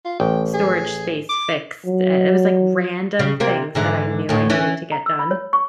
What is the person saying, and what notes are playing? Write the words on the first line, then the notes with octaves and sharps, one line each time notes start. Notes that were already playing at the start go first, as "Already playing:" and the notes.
storage space fixed," uh, it was, like, random things that I knew I needed to get done,
F4
A1 G5
G#4
D6
F#3
C#3
C3 A#3
G#2 D3 E3
D2 A2
E3 C#4
A#5
E6
B5
C#5
C#6